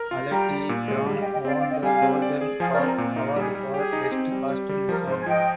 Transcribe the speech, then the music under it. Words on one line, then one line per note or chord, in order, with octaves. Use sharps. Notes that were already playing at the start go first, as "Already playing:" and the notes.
Alette Kraan won the Golden Calf award for Best Costume Design.
Already playing: A#4
F4
G3 G5 A#5
G3
A#2
G#3
G3
F5
D#5 G5
G4
D#5 G5
C4 D5 F5
D5 F5
C4
D#5 G5
G3 F5 G#5
C4
D5
G#4
F3 F5 G#5
A#4 D5
C4
A#4
A#2
D#4 A#4
G3 G#4
G3
G4 G#4
D#4
C4
G3
G3
G3
F3 A#4
G#2 C5
G#5
F3 D#5 G5